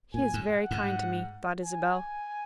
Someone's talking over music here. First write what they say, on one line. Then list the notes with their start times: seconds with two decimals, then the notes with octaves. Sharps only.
"He is very kind to me," thought Isabel.
0.14 A#2 G#5
0.34 G#2
0.52 F#5
0.71 G#2
1.63 G#5